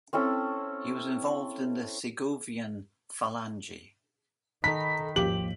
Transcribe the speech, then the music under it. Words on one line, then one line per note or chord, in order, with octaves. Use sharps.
He was involved in the Segovian Falange.
C4 C#4 E4 A4
D#3 A4 A#5 B5 B6
G#1 D#2 F3 A#3 F4 G4 F#7